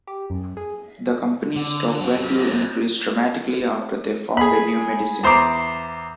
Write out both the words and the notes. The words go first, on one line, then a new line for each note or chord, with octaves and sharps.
The company's stock value increased dramatically after they found a new medicine.
G4
F#2
G#4
D3
F#3 C4
G#4 B5
E2 C5 A#5 D6